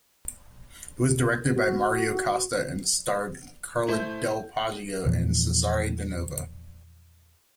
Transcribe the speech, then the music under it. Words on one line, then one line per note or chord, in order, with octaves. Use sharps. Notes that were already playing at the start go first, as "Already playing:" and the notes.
It was directed by Mario Costa and starred Carla Del Poggio and Cesare Danova.
F#4
A3 E4 C5 G6
E2 A#2 E3 F3